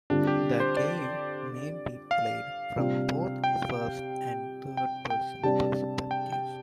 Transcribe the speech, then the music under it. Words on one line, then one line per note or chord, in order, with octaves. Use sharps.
The game may be played from both first- and third-person perspectives.
D3 G3 C4 D4 F4
G4
C5
D5
F5
C3 G3 D4 F4
G5
G5
G5
C3 G3 D4 A5
G5
G5